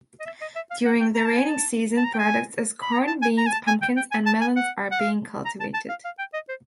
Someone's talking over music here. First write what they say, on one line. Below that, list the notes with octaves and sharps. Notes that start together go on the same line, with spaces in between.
During the raining season products as corn, beans, pumpkins and melons are being cultivated.
D#5
E5
D#5
E5
F5
F#5
G5
A#5
A5
G#5
A5
A5
A#5
G5
G#5
B5
A#5
A5
G#5
A#5
G#5
A5
G#5
G5
G5
G#5
A5
G#5
F#5
F#5
F5
A#5
A5
A5
F5
F5
G5
D#5
C5